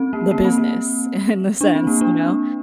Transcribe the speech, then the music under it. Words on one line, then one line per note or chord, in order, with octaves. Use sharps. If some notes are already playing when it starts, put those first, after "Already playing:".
the business in the sense, you know?
Already playing: C4
A#3
A#3
C4
A#3
D4
C4
A#3
D4